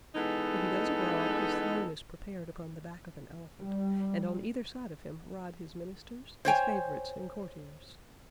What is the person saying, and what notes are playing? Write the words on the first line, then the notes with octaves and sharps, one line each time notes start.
When he goes abroad his throne is prepared upon the back of an elephant, and on either side of him ride his ministers, his favourites, and courtiers.
E3 G#3 B3 D#4 A4
G3
C5 C#5 G5 G#5